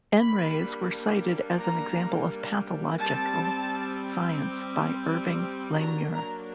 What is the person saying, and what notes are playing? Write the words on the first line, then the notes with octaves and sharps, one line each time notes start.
N rays were cited as an example of pathological science by Irving Langmuir.
G3 A#3 D4 B5
A#5
G3 C4 A5
F#3 A#3 D4 A#5
A#5